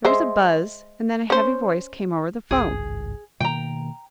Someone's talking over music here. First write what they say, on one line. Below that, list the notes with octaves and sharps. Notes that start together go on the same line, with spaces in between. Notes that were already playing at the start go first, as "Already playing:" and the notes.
There was a buzz and then a heavy voice came over the 'phone.
G#3 C5 E5
C#4 C5
G#1 C#2 G2 G#4
B2 D#3 A#3 G5 A#5